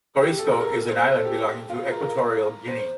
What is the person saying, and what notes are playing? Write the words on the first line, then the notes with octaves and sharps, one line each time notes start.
Corisco is an island belonging to Equatorial Guinea.
G4
G4
A4
A#4
A#4
A4
C5
C5
A4
G4
F4
A#4
A#4
C5